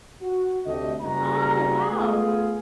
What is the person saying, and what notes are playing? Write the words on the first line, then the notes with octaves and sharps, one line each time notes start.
Oh, wow.
F#4
D2 C3 A3 G4 D#5
F#1 G3 A#3 F#4 G#4 A#5
A3 B3 F4 G#4